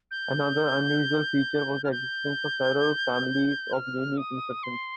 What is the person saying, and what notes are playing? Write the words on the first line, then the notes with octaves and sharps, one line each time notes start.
Another unusual feature was the existence of several families of unique instructions.
G6
F6
G6
F6
D#6
C6